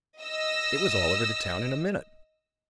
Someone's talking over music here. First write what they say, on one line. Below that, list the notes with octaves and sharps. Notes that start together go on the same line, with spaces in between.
It was all over the town in a minutes.
D#5 E6 A#6